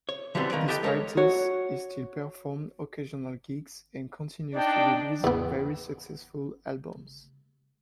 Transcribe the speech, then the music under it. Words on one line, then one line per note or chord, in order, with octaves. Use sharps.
Despite this, he still performed occasional gigs and continues to release very successful albums.
C#5
D3 E3 F#3 G3 B3 C4
D#3 A#3 B4 D5
B3 G4 A4 D#5 G5
G#3 A4 A#4 C#5
F#4 C#5
D4 D#4 D5 G5
E2 B3